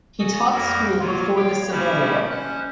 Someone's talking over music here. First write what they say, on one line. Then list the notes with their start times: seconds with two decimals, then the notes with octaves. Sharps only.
He taught school before the Civil War.
0.19 F#4 A4 G#5 D#6
0.53 F2 G3 A#3 A#4 A#6
1.00 F#3 A#3 F4
1.36 C#5 F5 G5
1.71 F3 G3 A3 A#3 C#4 E4
2.30 C#4 C5 F#6